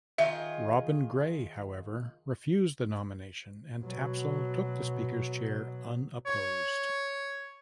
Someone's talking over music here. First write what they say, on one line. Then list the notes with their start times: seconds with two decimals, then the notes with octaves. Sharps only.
Robin Gray, however, refused the nomination, and Tapsell took the Speaker's chair unopposed.
0.18 D#3 F4 G#4 E5
3.82 B2 F#3
6.26 C#5